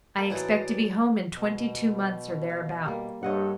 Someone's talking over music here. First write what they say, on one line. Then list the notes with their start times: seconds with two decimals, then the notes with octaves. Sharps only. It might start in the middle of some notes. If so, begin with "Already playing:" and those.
I expect to be home in twenty-two months or thereabouts.
0.16 A#3 A4
0.30 A2 E3 D#4 F#4 B4 C#5 D5
1.32 B2
2.49 F5
2.86 G3 A#3
3.23 G2 A4 C#5 D#5 F#5